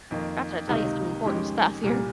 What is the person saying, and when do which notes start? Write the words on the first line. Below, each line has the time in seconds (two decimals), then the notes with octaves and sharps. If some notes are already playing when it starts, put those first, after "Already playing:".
I got to tell you some important stuff here.
0.11 F2 D#3 A#3
0.67 C#2 C3 D#3 A#3 D#4
1.26 F2 D#3 G#3 C#4 G4
1.83 C2 A#2 G3